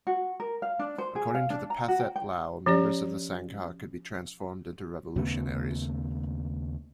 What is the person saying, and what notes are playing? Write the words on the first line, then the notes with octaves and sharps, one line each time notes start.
According to the Pathet Lao, members of the Sangha could be transformed into revolutionaries.
F#4
A#4
F5
D4
C5
G#4
F5
D4
A#5
F#4
G5
G5
F3 C#4 G4 D5
D#2 C#3 A3 B3